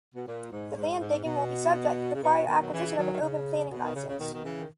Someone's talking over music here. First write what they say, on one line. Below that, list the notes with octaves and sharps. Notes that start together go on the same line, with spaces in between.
The land digging will be subject to the prior acquisition of an urban planning license.
B2
A#2
G#2
G#2
G#2
B2
C#3
B2
B2 D#3
F#3
C#3 E3
D#3 F#3
D#3
C#3
B2
D#3
C#3
C#3
B2 D#3
D#3
C#3 E3
D#3